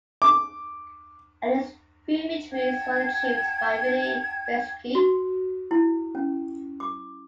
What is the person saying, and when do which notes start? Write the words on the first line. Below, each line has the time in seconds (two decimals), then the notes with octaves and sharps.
At least three victories were achieved by Willi Reschke.
0.22 D6
2.51 F#5 G5 A5 G#6
4.95 F#4
5.71 E4
6.15 C#4
6.80 D6